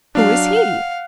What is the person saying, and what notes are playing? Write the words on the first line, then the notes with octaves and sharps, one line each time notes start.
"Who is he?"
F#3 D4 F5
F#5